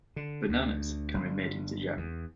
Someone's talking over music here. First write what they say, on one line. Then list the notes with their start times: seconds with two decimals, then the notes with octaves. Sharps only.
Bananas can be made into jam.
0.16 D3
0.49 D2
1.14 G1
1.97 E2